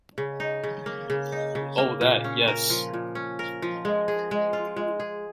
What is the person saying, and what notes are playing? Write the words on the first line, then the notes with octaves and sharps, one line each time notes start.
Oh, that, yes.
C#3
D#4
C#3
A#3
C#3
D#4
C#3
A#3
A#2
C#4
A#4
F3
A#2
C#4
A#4
F3
G#3
G#4
G#3
F4
G#3
G#4